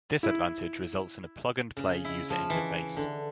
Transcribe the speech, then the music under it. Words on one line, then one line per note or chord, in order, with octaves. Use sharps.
This advantage results in a plug-and-play user interface.
E4
C#3
E4
F3
E3
D3